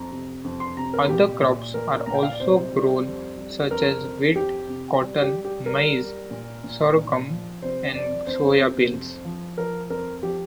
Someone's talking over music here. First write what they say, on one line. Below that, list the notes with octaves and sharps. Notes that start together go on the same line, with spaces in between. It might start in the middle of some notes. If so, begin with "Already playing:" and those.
Other crops are also grown, such as wheat, cotton, maize, sorghum and soya beans.
Already playing: F2 A#5
C3
F2
C6
C3 A#5
A#4
A#2 G4
A#2
A#2 A#4
A#2 A#5
G5
F5
D5
C3 C5
G3
F2
G3
F2 A#4
F2
F2 G4
C3
G3
G4
G3
G4
G3 A#4
G3
A#2
A#2
A#2
F3
C3 C5
F2 D5
F2 C5
C3
F2
F3
F3 A#4
F2 A#4
F3 G4